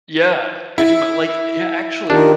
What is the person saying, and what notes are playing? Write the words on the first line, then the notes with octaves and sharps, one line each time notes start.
Yeah. Could you ma like, yeah, actually
E4
D#3 D4 F4 G4 A#4